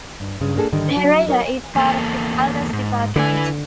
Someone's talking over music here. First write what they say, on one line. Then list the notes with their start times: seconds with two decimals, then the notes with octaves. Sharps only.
Pereira is part of the Caldas department.
0.20 G2
0.41 G2 C#3 G#3
0.57 A#3 D4 G#4 A4
0.72 G#2 D3 D#3 G3
0.93 F#3 D4
1.26 F#3 D#4 A#4 C#5
1.75 E2 A#3 A4
2.73 G#2
3.16 D3 E4 B4 G#5